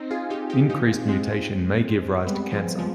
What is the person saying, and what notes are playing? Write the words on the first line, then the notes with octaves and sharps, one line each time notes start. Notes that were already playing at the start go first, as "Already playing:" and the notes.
Increased mutation may give rise to cancer.
Already playing: C4 D#4
F4 G#4
D#4 G4
D#4 G4
D#4 G4
G#3 C4
G3 B3
F3 G#3
F3 G#3